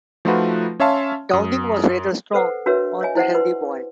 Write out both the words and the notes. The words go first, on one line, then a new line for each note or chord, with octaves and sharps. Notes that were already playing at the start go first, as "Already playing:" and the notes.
Downing was rather strong on the healthy boy.
F3 A3 D#4 F4 F#4 B4
C#4 C#5 E5 F5 A5 C6
F#2 D#6
A4 B4 C5 F#5
D4 F#4 A#4 B4 C#5 E5
C#5 D#5 E5 G#5
E4 C5 F#5
B4 C6